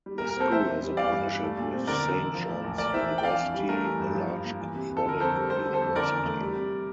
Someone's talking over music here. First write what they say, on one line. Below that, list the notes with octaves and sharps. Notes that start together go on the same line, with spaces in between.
The school has a partnership with Saint John's University, a large Catholic university.
G3
A#4
A#2
A#4
C4 A4 C5
E3 C5 E5
E2
G3
E3 D5 F5
G2
G3
A3
A#2
C4
D3 A#4 D5
E2
E1
F3
A2
A#1
A3 A#4 D5
E3 C5 E5
D4
G5
E3 D5 F5
F2
G3
A3 A#4
E3
G2
F3
G2
A#3
E3
C3
C2
A4
D3 A#4
F2 A4 C5
G3 A#4
G3 A4 C5
D3
A4 C5
F2
D3 A#4 D5
E2
A3
G3
C3